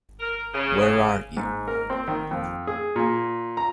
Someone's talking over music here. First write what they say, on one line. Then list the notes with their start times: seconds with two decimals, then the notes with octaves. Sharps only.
Where are you?
0.20 A#4
0.54 C#3
1.37 G#2
1.68 A#4
1.90 C4
2.08 D#3
2.31 F2
2.67 G#4
2.96 A#2
3.57 A#5